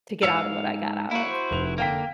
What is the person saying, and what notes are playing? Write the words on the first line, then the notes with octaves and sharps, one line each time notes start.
to get outta what I got out of,
G#2 F5 E6 C#7
A#3 E4 F#4
C5
F1 F7
D3 A#3 F5 G5 B6